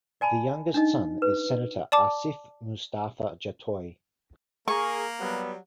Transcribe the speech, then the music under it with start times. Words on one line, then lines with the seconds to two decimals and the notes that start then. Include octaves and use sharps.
The Youngest son is Senator Asif Mustafa Jatoi.
0.21 D5 G#5 A5 B5
0.74 D4 D#4 D#5
1.22 B4
1.92 D5 A5 D6
4.68 A#3 G#4 A#4 C#6
5.20 F#3 G3 B3